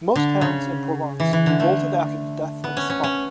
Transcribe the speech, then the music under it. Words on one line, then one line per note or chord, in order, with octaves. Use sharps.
Most towns in Provence revolted after the death of his father.
D3
C#3
E3
E3
D3
A3
B3
C#4
C#4
C#4